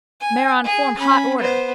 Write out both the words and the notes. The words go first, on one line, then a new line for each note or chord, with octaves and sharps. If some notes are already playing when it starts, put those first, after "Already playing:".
Mare on form hot order.
G#5
G#4
C#4 B5
B3 C5